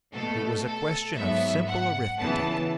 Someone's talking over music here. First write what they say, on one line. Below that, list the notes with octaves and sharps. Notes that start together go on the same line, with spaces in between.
It was a question of simple arithmetic.
B2 A3 A4
A4
G#2 F#3 B3 E5
F#5
C#3 E3 B3 A5